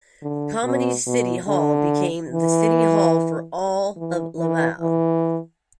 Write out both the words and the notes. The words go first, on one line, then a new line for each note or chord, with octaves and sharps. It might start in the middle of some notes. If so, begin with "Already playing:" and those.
Chomedey's city hall became the city hall for all of Laval.
D3
B2
B2
D3
E3
E3
E3
E3